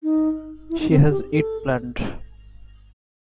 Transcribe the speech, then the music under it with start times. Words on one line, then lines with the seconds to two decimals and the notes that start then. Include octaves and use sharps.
She has it planned.
0.03 D#4
0.70 E4
0.80 D#4
0.90 C4
1.10 G4
1.32 A4